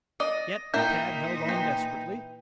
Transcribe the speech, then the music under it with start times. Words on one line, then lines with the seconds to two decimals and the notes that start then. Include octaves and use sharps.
Yet Tad held on desperately.
0.20 D5 D#5
0.74 A#2 D#4 E4 A#4 G5 G6
1.48 E3 G5